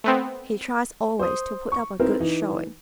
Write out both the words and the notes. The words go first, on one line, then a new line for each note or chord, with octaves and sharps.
He tries always to put up a good showing.
A3 B3 C4
C5 D#6
C#6
C4 D#4 E4 A#4 B4
E3 D#4